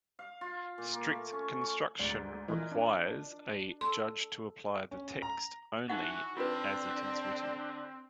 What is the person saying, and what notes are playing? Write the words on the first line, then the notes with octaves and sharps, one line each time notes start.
Strict construction requires a judge to apply the text only as it is written.
F5
F4
A#2
A#3
A3
C#4
C#6
D2 G#2 D5
E3 F4 A#4 D#5
D4
A4 C6
C#4
A#5
E3 D#4 F#4 F#5
D3 C4 F4 B4